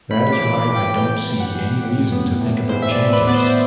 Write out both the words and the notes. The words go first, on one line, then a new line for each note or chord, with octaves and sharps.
That is why I don't see any reason to think about changes.
A2 B5
D6
E3
D6
A2
G5
B3 G5
A2
F#5
E3
A2
B3
A2
E3 C5
E5
D5
A2
B4
B3 D5
C5